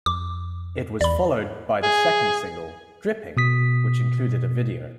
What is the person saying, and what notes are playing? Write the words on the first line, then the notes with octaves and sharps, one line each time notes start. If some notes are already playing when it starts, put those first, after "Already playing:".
It was followed by the second single, "Dripping," which included a video.
F2 D6
E2 D5 B5
G#4
B2 D#6 B6